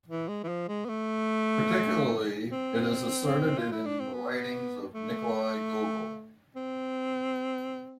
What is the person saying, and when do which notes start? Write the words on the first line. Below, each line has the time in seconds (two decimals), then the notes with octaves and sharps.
Particularly, it is asserted in the writings of Nikolai Gogol.
0.08 E3
0.28 G#3
0.43 E3
0.48 F3
0.68 G#3
0.85 B3
0.89 A3
2.51 C4
3.58 F4
3.72 E4
3.86 D4
4.00 C4
4.13 B3
4.94 A3
6.56 C4